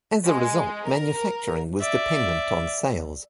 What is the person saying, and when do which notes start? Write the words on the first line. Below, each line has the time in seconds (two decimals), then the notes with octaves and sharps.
As a result, manufacturing was dependent on sales.
0.24 G#3
0.86 A#4
1.80 D5 E5